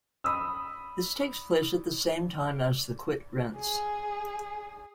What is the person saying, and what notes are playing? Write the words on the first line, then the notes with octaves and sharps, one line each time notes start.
This takes place at the same time as the Quit Rents.
B5 D#6 E6
G#4